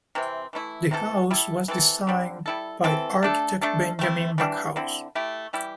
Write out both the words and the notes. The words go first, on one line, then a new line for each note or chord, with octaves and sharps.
The house was designed by architect Benjamin Backhouse.
C3 E3 C4
E3 A3 E4
C3 E3 C4 A4
G3 E4 A4
E3 C4 A4
D3 G3 C4
G3 E4 A4
E3 C4 A4
A3 D4 A4
A3 D4 A4
A3 C4 E4
E3 G3 D4
D3 C4 E4
A3 E4 G4
E3 G3 E4 G4